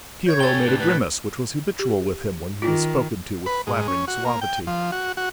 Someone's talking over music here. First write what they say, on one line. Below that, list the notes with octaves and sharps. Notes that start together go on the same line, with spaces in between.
Piero made a grimace which was habitual with him when he was spoken to with flattering suavity.
C#5 G6 G#6
G4 A4 G5 A6 G7
A2 D4 G4 B4
B4
G4
D#3 F4
B4
G#2
C#4
F#4
A#3
G5
F3
F#4
F#4